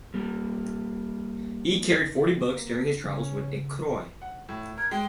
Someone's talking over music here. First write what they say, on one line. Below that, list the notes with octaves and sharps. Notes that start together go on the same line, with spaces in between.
He carried forty books during his travels with de Croix.
G3 A#3
A#3
C#3 C#4
F#5
A2
A#4 G#6
G#3 G5